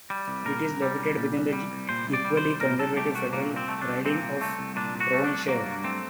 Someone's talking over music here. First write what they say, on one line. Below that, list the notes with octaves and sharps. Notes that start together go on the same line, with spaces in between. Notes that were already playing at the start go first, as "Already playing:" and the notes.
It is located within the equally conservative federal riding of Provencher.
G3
C2
A#2 A#4
C2
G3
C2
A#2
C2
G3
C2
A#2 C5
C2
D5
G3
C5
C2
A#2 A#4
C2 A4
A3 G4
C2 F#4
A#2 A#3
C2
C4
A3
D4
C2
A#2 C4
C2
A3
C2
A#2 D4
C2
F#4
A3
D4
C2
F#3 A#3
G2
A3 C4